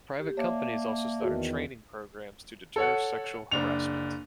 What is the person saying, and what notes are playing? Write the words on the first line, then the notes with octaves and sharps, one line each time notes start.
Private companies also started training programs to deter sexual harassment.
G4
A#3 C#5 D5 E5 A5
E2 D#3 F#4 G#4
A4 C#5 F#5
F#1 D4 F7